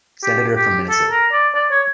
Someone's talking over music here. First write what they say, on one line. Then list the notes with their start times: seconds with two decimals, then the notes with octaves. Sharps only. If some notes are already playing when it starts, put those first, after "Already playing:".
Senator from Minnesota.
0.23 G4
0.56 G4
0.89 A4
1.10 A#4
1.32 D5
1.55 D5
1.71 C#5